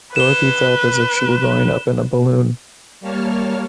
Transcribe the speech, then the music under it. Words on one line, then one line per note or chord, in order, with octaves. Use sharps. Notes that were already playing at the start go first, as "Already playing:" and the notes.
Dorothy felt as if she were going up in a balloon.
B4 E7 G7
G3 A#3 C#5 A5 F6